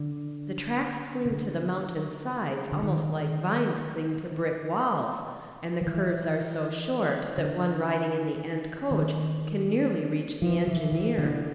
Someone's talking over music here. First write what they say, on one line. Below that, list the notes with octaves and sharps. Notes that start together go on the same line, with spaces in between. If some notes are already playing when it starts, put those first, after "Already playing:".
The tracks cling to the mountain sides almost like vines cling to brick walls, and the curves are so short that one riding in the end coach can nearly reach the engineer.
Already playing: D3
C#3
D3
D3
D#3
F3
E3
D3
D#3
F3
E3
E3
D3